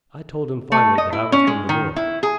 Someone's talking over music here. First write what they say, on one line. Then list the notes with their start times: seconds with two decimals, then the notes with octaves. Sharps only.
I told him finally that I was from the North.
0.72 A3
0.98 D#5
1.13 E4
1.32 C#4
1.47 G#3
1.69 D#3
1.96 E4
2.23 G#4